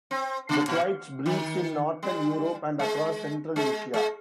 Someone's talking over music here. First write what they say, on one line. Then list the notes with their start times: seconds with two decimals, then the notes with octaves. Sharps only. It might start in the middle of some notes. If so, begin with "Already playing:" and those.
The twite breeds in northern Europe and across central Asia.
0.11 C4
0.49 C#3
0.68 A#2
1.26 D#3
2.03 G3
2.79 G#3
3.56 G#3
3.94 G#3